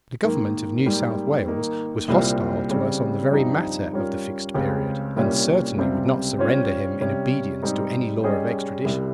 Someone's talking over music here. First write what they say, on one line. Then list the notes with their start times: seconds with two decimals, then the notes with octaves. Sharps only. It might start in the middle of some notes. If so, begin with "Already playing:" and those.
The Government of New South Wales was hostile to us on the very matter of the Fixed Period, and certainly would not surrender him in obedience to any law of extradition.
0.23 G#2 D#3 A#3
0.85 G#2 G3 A#3
1.47 D#3 A#3 D#4
2.08 C2 A#2 G3 C4 F4
2.69 C#3 G3 C4
3.31 G2 F3 C4 D#4 G4
3.93 G3 C#4 F4 A#4
4.54 C#2 C#3 G#3 C4 G4
5.16 C2 A#2 G3 C#4 F4
5.77 C#2 C3 G3 C4 G4
6.39 G3 C#4 F4 C5
7.00 C3 G3 C#4
7.62 G#2 G3 C4 D#4
8.24 G3 C#4 G#4 D#5
8.85 C2 C3 G3